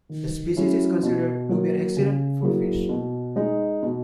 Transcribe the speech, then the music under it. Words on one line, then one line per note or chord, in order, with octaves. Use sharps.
This species is considered to be an excellent food fish.
D#3
F#3 C#4 E4
B2
F#3 A#3
C#3
F#3 A#3 E4 G#4
B2
G#3 D#4
B2